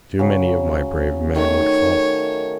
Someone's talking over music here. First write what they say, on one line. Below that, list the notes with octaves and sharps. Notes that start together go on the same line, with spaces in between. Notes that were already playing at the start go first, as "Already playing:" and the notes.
Too many of my brave men would fall.
C#3 F#3
D#3 A3 C#5